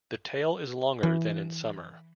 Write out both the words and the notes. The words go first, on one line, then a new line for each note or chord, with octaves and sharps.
The tail is longer than in summer.
E3